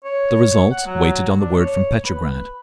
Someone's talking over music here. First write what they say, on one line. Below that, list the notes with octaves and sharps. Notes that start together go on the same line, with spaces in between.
The result waited on the word from Petrograd....
C#5
F#5
F#3
D4
C#5
B4